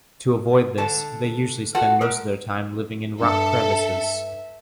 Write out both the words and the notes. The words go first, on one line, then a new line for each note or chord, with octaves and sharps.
To avoid this, they usually spend most of their time living in rock crevices.
D3 A4 A5
F4 F#4 A4 F#5
G#3 A#4
G2 A4 E5